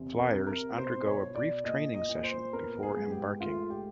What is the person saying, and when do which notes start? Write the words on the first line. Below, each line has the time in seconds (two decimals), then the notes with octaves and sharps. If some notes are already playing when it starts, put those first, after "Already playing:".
Fliers undergo a brief training session before embarking.
Already playing: E2 C3
0.18 A#4
0.32 C3
0.47 A#4
0.77 B2 C5
1.06 C#5
1.21 B2
1.35 D5
1.64 A#2 D#5
1.94 D#5
2.09 A#2
2.23 C5
2.53 B3 A#4
2.83 G#4
2.97 G#2
3.11 G4
3.40 A3 F4
3.70 G4